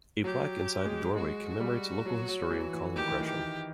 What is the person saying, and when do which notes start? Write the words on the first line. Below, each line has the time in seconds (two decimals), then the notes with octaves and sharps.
A plaque inside the doorway commemorates local historian Colin Gresham.
0.24 F#3 G4
0.85 G#3
1.15 G#3 F#4
1.60 G3
2.05 F#3
2.28 F#3
2.50 E3
2.73 E3
2.96 D#3 G4
3.08 E3
3.20 D#3
3.26 G4